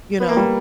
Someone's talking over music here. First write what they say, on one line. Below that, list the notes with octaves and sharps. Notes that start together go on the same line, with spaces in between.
You know,
B3
A#3
G3